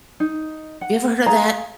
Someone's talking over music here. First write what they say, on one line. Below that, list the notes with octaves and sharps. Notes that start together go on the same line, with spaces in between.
you ever heard of that
D#4
F#5
G#4 F5 A#5